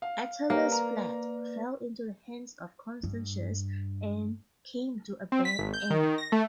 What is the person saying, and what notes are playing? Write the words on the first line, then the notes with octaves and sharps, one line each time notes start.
Attalus fled, fell into the hands of Constantius, and came to a bad end.
F5
A#3 G4 B4 C#5 D5
A#5
G2
C4
B6
G#1
G6
D#3
D#3
A#6
A3